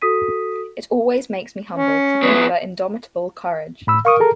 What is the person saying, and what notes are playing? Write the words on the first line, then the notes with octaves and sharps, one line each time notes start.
It always makes me humble to think of her indomitable courage.
F#4 A4 D#6 B6 D#7
C#4
F2 B3
A2 B5 E6
A#4 F5 C#6 D#6
G#4 A4 A#5